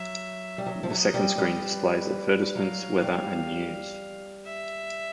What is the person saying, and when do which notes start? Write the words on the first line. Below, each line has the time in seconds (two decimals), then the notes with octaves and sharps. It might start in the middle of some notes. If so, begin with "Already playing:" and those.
The second screen displays advertisements, weather, and news.
Already playing: F#3 E5
0.58 G3
0.66 F#3 E5
0.83 F3
0.90 F#3
0.98 D#5
1.14 G3
1.30 D#5
1.38 G3
1.62 B4
2.55 F#3 F5
3.02 G3
4.45 E5